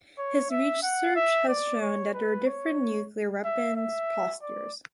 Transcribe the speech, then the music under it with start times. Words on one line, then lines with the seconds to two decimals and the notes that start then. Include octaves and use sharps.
His research has shown that there are different nuclear weapons postures.
0.18 C#5
0.51 E5
0.83 F#5
1.16 E5
1.49 D5
1.81 C#5
2.14 B4
2.47 C#5
3.45 E5
3.77 E5
4.42 D5